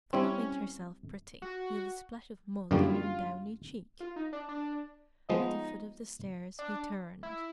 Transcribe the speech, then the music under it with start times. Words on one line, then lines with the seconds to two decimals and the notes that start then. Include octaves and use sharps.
"Come and make yourself pretty: you've a splash of mud on your downy cheek." At the foot of the stairs he turned.
0.13 G3 C4 C#4 E4
1.42 F#4
2.71 F#2 D3 G3 A#3 F4
2.81 E4
2.90 F4
4.00 F4
4.16 D#4
4.33 D4
4.49 D4
5.29 F3 G#3 B3 D#4
6.59 D4
7.23 E4